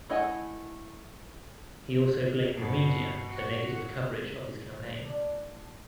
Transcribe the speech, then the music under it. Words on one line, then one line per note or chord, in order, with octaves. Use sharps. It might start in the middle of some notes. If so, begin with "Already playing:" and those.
He also blamed the media for negative coverage of his campaign.
A3 E4 D#5 F#5 G#5
G2 B2
F#4
A2 D4